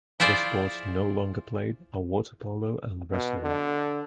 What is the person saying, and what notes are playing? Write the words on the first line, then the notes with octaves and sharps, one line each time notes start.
Other sports no longer played are water polo and wrestling.
E4 F4 G#4 C5 D5
B2
D3